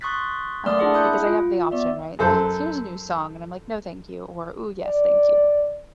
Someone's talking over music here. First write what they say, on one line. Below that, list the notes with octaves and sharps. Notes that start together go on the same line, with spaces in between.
um, because I have the option, right? They're like, "Here's a new song," and I'm like, "No, thank you," or, "Ooh, yes. Thank you."
C6 C#6 D#6 F#6 A6 B6
A3 A#3 D5 C6 D#6 F6
D4 E4 G#4 E5 F#5
B5 D#6 F#6 G6 C#7
F4
B3 D5 E5
F#2 A4 C5
D5